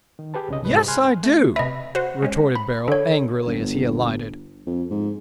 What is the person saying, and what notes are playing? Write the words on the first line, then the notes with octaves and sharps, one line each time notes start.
"Yes, I do," retorted Beryl, angrily, as he alighted.
D#3
G4 G#4 B4 A5
C2 C#3 D#5
C2 G#2 B4 D#5
G#2 G4 G#4 C5
G#5 B5 C6 F6 F#6 G#6
A3
C3 B4 D#5 E5
F#4 C5
G#3 C#4
B5
D3 A4 C#5
G1
F2
G#2